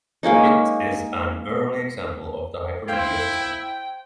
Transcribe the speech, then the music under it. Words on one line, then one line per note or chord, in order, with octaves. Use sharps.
It is an early example of a hypermedia system.
G#3 A#3 C#4 D#4
E4 C5 F5 G5